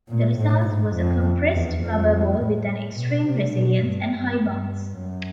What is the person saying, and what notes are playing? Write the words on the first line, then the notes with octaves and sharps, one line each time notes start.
The result was a compressed rubber ball with an extreme resilience and high bounce.
A#2
A2
G#2
F2
E2
F2
A2
B2
C3
B2
G2
G2
G2
F#2